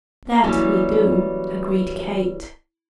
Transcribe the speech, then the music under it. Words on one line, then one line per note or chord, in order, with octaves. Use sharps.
"That we do!" agreed Kate.
E3 F#3 G3 A#3 C#4